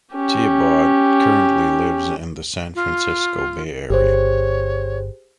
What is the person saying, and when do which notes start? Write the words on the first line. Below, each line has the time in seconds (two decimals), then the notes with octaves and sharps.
Thiebaud currently lives in the San Francisco Bay Area.
0.15 C#4 G4
2.75 F4
3.90 G1 G4 G#4 C5 C#5